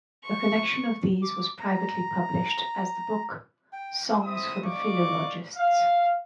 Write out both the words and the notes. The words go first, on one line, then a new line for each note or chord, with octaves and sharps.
A collection of these was privately published as the book Songs for the Philologists.
C#6
D6
A#5
G5
C4 E4 E5 D#6
D5 D#5 F5 C#6 D6
F5